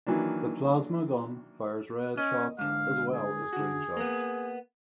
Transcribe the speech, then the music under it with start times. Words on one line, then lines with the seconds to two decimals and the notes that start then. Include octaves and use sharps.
The Plasma Gun fires red shots as well as green shots.
0.07 D#3 E3 F#3 A#3 D4
2.18 C#4 D#5
2.59 G#2 D3 F5
3.14 G#4
3.53 D3 F#4
3.97 A#3 B3